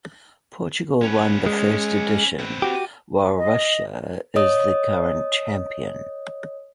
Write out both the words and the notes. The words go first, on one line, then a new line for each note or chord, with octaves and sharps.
Portugal won the first edition, while Russia is the current champion.
C#4 B4
G#3
C4 B4
F#4 G4
D#5
C#5 D#5 D#6